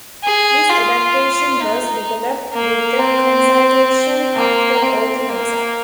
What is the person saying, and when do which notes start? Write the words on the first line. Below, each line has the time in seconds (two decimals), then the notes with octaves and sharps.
This adaptation was developed with the consultation of the author himself.
0.24 G#4
0.70 F4
1.62 D#4
2.53 A#3
2.99 C4
4.36 A#3
4.83 C4
5.28 A#3